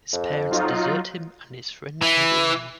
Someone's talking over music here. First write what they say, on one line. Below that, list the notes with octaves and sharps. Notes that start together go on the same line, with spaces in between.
His parents desert him and his friends move away.
F2
F#3 D#4 F4
E3